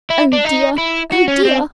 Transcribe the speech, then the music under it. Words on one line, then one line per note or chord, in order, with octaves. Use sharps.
Oh dear, oh dear!
E4
D4
D#4
E4
F#4
C#4
C4